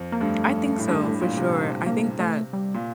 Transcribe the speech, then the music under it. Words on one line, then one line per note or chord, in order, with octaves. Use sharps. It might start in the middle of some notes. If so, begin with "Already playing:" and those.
I think so for sure, I think that
Already playing: F2
A#3
G2 A3
A2
G2
A2
A#2
C3
A#3
A3
G3
A#2